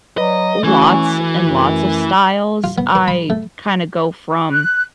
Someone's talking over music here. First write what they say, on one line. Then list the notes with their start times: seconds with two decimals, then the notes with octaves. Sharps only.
lots and lots of styles. I kinda go from,
0.18 F#3 B4 D5 D#5
0.64 E3 A3 C#4 F#4
1.45 F#2
2.64 F4
2.78 B3
2.95 B4
3.08 B5
3.30 A3
4.51 F#6